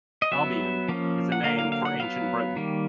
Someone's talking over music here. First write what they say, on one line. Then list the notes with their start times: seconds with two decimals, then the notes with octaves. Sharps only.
Albion is a name for Ancient Britain.
0.22 D#5
0.32 F#3 B3 E5
0.88 F3 A#3 C#4
1.32 F#5
1.43 D3 F#3 A#3 F5
1.59 F5
1.72 F5
1.85 F#5
2.00 F#3 B3 F5
2.56 D#3 G3 A#3